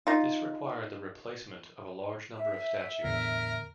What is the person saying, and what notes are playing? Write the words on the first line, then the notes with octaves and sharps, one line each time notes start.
This required the replacement of a large number of statues.
D#4 F4
E5
E2 A2 D3 A#4